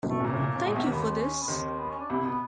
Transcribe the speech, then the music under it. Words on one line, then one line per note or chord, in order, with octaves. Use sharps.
Thank you for this.
A3
A2
A#2 A#3
A2
A#2
A2
A#2 G#3
B1 B2 A3
D#2 D#3 A#3
B3
C4
C#4
B3
D#2 D#3 C4
B3
C#4
D4
C2 C3 E4
B2 B3